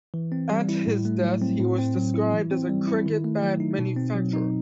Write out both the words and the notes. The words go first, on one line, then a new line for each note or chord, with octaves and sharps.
At his death he was described as a "cricket bat manufacturer".
E3
C4
G3
E4
A2
A3
F#3
C4
A2
C4
F#3
E4
E3
C4
G3
E4
D#3
A3
F#3
D#4
B2
C4
F#3
D#4